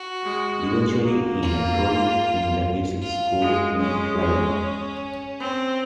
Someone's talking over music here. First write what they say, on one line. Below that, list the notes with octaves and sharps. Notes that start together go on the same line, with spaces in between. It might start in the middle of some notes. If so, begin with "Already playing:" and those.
Eventually he enrolled in the music school in Pleven.
Already playing: F#4
G#3
G#3
A#3
F4
F4
G#3
G#3 C#4
G#3
C4